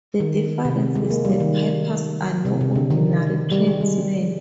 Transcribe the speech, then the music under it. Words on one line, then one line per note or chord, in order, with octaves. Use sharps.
The difference is the pipers are no ordinary tradesmen.
D#3
C3
G#3
A#3
G3
D#3
C3
C3
D3
D#3
G3
G#3
G3